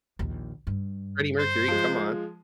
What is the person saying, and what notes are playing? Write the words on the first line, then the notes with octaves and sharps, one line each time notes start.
Freddie Mercury, come on.
A#1 D#2
G2
C5
F3 G#3